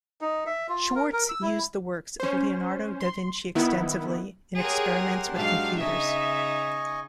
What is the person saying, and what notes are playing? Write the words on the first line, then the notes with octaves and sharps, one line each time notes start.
Schwartz used the works of Leonardo da Vinci extensively in experiments with computers.
D#4
E5
F4
A#4
A#4
E6
E4
C#4 C5
C6
D#3 B3 E4
G4 G#4 A#4 C#5 F#5 C6
G#2 F#3 D4 F5
C#3 D#4 D#5 E5 G#5 C#6